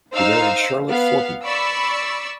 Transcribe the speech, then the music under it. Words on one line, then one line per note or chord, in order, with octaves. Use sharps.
He married Charlotte Forten.
D#4 C5 F5 E6
B3 F5
D5 B5 C#6 E6